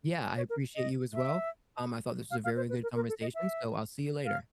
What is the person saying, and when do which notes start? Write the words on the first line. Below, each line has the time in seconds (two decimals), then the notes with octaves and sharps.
Yeah, I appreciate you as well, um, I thought this was a very good conversation, so I'll see you later.
0.37 C#5
0.50 A#4
0.76 D#5
1.14 E5
2.31 F5
2.44 F5
2.57 C5
2.69 B4
2.83 A#4
2.96 A#4
3.09 A4
3.21 D#5
3.35 E5
4.25 F5